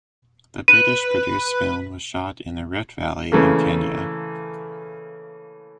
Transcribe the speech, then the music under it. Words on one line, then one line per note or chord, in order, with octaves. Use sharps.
The British-produced film was shot in the Rift Valley in Kenya.
B4 D#7
C#3 E3 A3 A#3